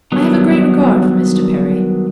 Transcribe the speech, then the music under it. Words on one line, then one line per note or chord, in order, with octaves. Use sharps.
I have a great regard for Mr. Perry.
D#3 F#3 G3 B3 D4